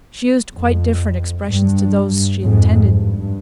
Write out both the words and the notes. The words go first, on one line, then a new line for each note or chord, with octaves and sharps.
She used quite different expressions to those she intended.
F2
G2
F2 G#2
G2